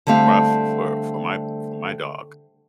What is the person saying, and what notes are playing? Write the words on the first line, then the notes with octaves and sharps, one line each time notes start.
rough for for my for my dog,
D3 G3 A3 C4 F5